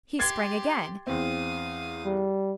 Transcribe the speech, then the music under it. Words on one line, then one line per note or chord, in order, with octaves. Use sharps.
He sprang again.
G4 C6 G#6 A6 C7
E2 C4 F5 D#6
G3